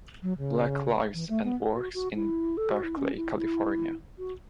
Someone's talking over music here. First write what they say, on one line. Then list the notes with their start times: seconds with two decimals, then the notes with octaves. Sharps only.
Black lives and works in Berkeley California.
0.22 F#3
0.38 C#3
1.14 E3
1.29 A3
1.44 B3
1.74 F#4
1.94 F#4
2.15 E4
2.57 A4
2.71 F#4
2.83 E4
2.97 C#4
3.17 E4
3.37 E4
4.18 F#4